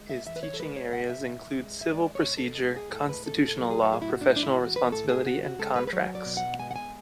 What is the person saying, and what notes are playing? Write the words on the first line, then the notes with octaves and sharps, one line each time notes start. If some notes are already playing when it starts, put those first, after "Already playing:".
His teaching areas include civil procedure, constitutional law, professional responsibility, and contracts.
Already playing: G#3
E5
E3 E5
B4
C#5
A4
G#3 B4
C#5
C#3 F#5
E5
A2
G#3
E5
G#3 D5
C#5
B2
A4
G#3
G#4
A2 A4
B4
B2 A4
A4
F#3
G#4
A4
A2 G#4
E4
F#4
D4
G#3 E4
D4
E4
E3 F#4
B4
A2 A4
G#4
C#3 F#4
F#4
G#3 A4
B4
B4
F#3 C#5
D5
B2
F#5
G#3 G#5
F#5
G#5